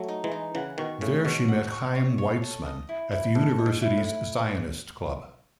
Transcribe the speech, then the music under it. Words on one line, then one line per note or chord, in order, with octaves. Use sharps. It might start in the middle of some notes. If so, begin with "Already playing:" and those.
There she met Chaim Weizmann at the University's Zionist Club.
Already playing: F#3 A3
D#4
E3 G#3
D#4
C#3 E3 F#5
B2 D#3 C#6
A2 C#3 C#5
G#2 B2 C#5
F#5
C#6
C#5
C#5
A4
D#5
E4
E4
G#2 A4
D#5
G#2
E4
A2
E4